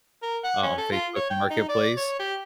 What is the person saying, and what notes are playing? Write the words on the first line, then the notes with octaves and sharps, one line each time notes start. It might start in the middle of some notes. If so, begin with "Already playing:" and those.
uh, on Facebook Marketplace,
A#4
F#5
C#4
A4
F4
C#5
G5
D#4
D5
C#5
G4